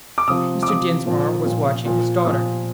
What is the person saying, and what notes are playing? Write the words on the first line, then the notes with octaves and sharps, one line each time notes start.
Mr. Dinsmore was watching his daughter.
D6
C3 F3 D#6
D6
C3 F3 D#6
A#2 F3
A#2 F3
A#2 F3
A#2 F3 D#6